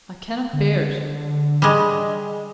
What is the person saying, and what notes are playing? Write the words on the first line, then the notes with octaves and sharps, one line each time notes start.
'I cannot bear it.
D3
G3 G#3